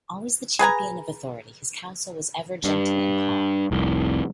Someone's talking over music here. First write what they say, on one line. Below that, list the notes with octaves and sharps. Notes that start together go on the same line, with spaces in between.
Always the champion of authority, his counsel was ever gentle and calm.
G#4 B4 G#5 A#5
G2
F1 C2